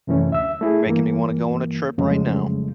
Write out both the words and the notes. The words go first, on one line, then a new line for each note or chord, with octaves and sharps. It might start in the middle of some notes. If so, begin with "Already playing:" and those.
You're making me wanna go on a trip right now.
F#2 C3 E3 A3 C#4 E4
D2 E5 E6
A3 E4 G#4
G2 E3 A#3
F2 C#3 F#3 G#3 A3